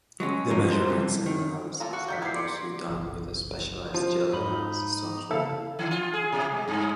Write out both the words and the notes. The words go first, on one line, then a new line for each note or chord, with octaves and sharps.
The measurement and analysis are mostly done with a specialized gel analysis software.
F#3 G#3 C4 C#4
F2 E3 F3 D#4 A#4
C5
G2 C3 E3
D#3
A#3 F4 A4
F#4 F5
D#3 D5 G6 B6
A#3 B3 E4 G4 G#6 C7
D5 C6 C#7
F#1 B1 E3
F3 F4
F2 G#2 F#3 D#4 B5
C#3 A#3 E4 A4 F5
D#3
F4
G#4
B2
G#3
G2